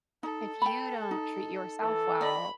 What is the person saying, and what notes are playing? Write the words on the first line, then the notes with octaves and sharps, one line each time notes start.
if you don't treat yourself well,
D#4 A4
G5 B5
D#4
E3 A4
D5 D#5 B5